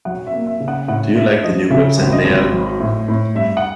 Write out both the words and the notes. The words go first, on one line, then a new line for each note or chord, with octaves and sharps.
Do you like the new website layout?
F#3 F#5
E5
A#3
E5
C#3
F#5
A2 F#5
D4 E5
F3 D#5
C#3 E5
G#1
D#5
G#1
F#3
A2
A2
G2 E5
F#5